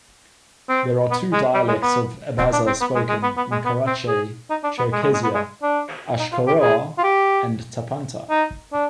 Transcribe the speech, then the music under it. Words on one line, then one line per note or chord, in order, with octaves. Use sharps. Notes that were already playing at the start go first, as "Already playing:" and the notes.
There are two dialects of Abaza spoken in Karachay-Cherkessia: "Ashkharua" and "Tapanta".
C4
B3
G#3
G3
G#3
B3
C4
D4
C4
B3
G#3
G#3
B3
B3
G#3
B3
C4
G#4
D#4
D4
B3
G#3
G#3
G#3
B3
G#3
D4
D#4
F4
G4
G#4
F4
G4
D#4
D4